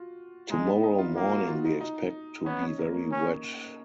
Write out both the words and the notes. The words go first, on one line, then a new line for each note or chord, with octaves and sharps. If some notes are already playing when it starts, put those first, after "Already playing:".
Tomorrow morning we expect to be very wet.
Already playing: F4 F#4
G#3 D#4
B3
D#4
F4
A#3
F#4
F4
D#4
D#4
B3 C#4
C#4
A#3
A#3
C#4